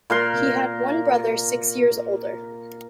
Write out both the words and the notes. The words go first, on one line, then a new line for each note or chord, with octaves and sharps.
He had one brother six years older.
A#2 A#4 C6